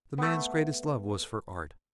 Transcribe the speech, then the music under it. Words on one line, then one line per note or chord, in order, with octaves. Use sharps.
The man's greatest love was for art.
A3 B3